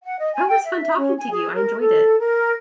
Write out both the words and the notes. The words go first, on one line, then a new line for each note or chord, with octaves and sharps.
It was fun talking to you, I enjoyed it.
F#5
D#5
G#5
G5
E5
C#4
G#5
G#4
A#4
A4
A#4